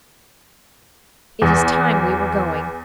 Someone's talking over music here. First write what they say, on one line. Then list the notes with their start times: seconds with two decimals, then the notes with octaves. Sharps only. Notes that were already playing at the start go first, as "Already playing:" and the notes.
"It is time we were going."
1.42 E2